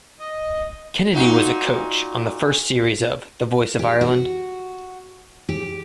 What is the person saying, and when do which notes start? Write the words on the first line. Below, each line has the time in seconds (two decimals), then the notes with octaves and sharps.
Kennedy was a coach on the first series of "The Voice of Ireland".
0.19 D#5
1.13 A#2 D#4 F#4
3.79 G4
4.01 F#4
5.49 G4